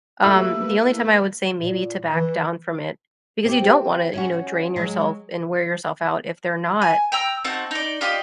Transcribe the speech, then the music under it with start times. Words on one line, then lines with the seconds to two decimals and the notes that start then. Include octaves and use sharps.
Um, the only time I would say maybe to back down from it because you don't wanna, you know, drain yourself and wear yourself out if they're not,
0.23 A3 A#3 E4 G4 A4 B4 E5 E6
1.60 A#2
2.14 E3
3.45 C4 E4 G4
4.13 C#4 E4 F#4
4.76 F#3 G#3
6.82 G#5
7.12 G5 A#5 E6
7.44 C4 D#4 F#4 A5
7.71 D#4 D5
8.01 F4 G4 D5 D#5